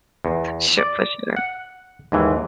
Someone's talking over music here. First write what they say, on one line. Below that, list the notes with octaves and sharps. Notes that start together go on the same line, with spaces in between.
Sh for sure.
E2
D5
F#5
D#2 G#2 E3